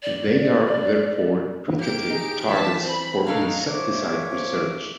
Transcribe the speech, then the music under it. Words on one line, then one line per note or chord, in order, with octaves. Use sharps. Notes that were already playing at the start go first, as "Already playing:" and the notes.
They are therefore putative targets for insecticide research.
D5
A#3 G4 D7
D#4 G#4
E3 A5 B6
C4 B5
F#3 D4 D#4 A4 F5
C2 F3 C#5 E5 D6